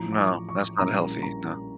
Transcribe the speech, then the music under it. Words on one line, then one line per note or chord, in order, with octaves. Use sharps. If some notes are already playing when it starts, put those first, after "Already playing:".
No, that's not healthy, no.
Already playing: A1 A2 F3 A#5
D6
C#6
C#6
A#1 A2 G3 A#3 C#4 A#5
A#5